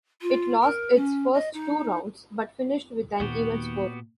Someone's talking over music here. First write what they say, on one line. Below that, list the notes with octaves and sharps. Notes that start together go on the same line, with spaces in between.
It lost its first two rounds, but finished with an even score.
F4
A#4
C#4
D#5
D#4
D#2 A#2 B3 F#4 G4